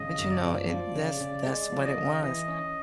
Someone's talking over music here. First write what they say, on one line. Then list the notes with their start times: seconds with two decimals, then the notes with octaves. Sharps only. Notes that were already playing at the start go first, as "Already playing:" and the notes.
But, you know, and that's that's what it was,
Already playing: G#1 C#3 D#5
0.19 F#2
0.31 D5
0.44 F3
0.69 F3
0.95 C#3
1.21 C#3
1.46 G#3 D5
1.72 F3
1.85 D#5
1.97 C#3
2.23 E3 D#5
2.48 C#4